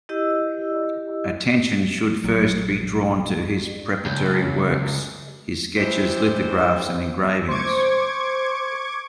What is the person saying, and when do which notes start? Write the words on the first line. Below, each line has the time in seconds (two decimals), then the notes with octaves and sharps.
Attention should first be drawn to his preparatory works: his sketches, lithographs, and engravings.
0.09 E4 G4 D#5 E6
2.24 A#1 F#3
4.06 C#2
5.78 E3 G3 G#3 D4 E4 C5
7.48 C5 C#6 D6 G#6